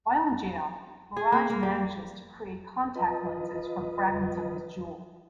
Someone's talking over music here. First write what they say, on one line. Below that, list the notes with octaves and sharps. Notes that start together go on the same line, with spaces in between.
While in jail, Mirage manages to create contact lenses from fragments of his jewel.
G#4
A#3
A#3
G3
F4 B4 D#5